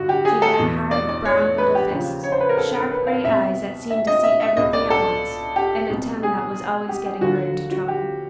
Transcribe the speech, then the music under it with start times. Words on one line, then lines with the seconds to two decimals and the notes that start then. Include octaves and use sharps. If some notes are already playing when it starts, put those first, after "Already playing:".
She had hard, brown little fists, sharp gray eyes that seemed to see everything at once, and a tongue that was always getting her into trouble.
Already playing: G2 D3 F#4
0.09 G4
0.25 G#4
0.42 A4
0.59 E2 B2
0.91 D5
1.09 D5
1.25 C#5
1.42 C#5
1.58 B4
1.75 G4
1.91 D#2 C#3 F3 G4
2.23 C#5
2.32 C5
2.40 B4
2.49 A#4
2.57 A4
2.75 A#4
2.91 B4
3.07 F5
3.24 C2 B2 E5
3.90 E5
4.07 D#5
4.23 E5
4.40 E5
4.57 C#2 B2 D#5
4.73 D5
4.90 A4
5.56 G4
5.90 C2 B2
6.23 G#4
6.89 G4
7.06 G4
7.21 D#2 D3 F3 F#4
7.71 F#4
7.88 G4